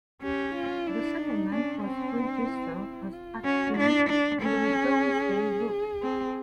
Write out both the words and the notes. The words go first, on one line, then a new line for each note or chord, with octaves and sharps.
The settlement was registered as "Actune" in the Domesday Book.
C#4 G4
F4
D4 E4
D#4
C#4 D4
C4
D4
E4
E4
F4
C#4 F#4
D4 E4
D4
C#4 A4
G#4
C4